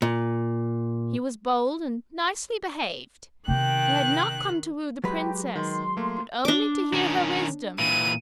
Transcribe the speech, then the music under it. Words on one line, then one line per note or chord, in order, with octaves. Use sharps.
He was bold and nicely behaved; he had not come to woo the Princess, but only to hear her wisdom.
A#2
C3 D#3 B3 G5 F#6
F#3 G#3 G4 B4
D#3 C6
A3 A#3
D4 D6
D#3 C#4
A#2 E3 D#7